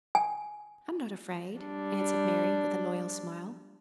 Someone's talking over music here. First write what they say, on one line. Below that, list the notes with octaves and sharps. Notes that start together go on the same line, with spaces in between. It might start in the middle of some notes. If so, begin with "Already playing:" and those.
'I'm not afraid,' answered Mary, with a loyal smile.
G#5
G3 D4